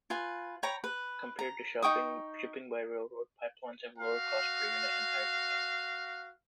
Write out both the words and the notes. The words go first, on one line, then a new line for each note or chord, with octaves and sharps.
Compared to shipping by railroad, pipelines have lower cost per unit and higher capacity.
F4 B4 G#5
C#5 G5 A#5 B5
B4
A#5
D#4 G5 C#6 D#6
F#4 F5